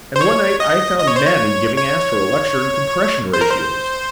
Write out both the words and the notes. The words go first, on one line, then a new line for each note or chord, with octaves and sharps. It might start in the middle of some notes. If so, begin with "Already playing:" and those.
And one night I found Manning giving Astro a lecture in compression ratios.
C5
C#5
D#5
D#5
C#5
C5
C#5
C#5
C5
A#4
C5